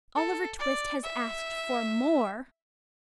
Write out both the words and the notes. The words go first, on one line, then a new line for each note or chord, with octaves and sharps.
Oliver Twist has asked for more!'
A4
D5
E5